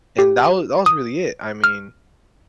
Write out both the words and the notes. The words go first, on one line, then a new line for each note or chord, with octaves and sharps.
and that wa that was really it, I mean
G4
D#6
F6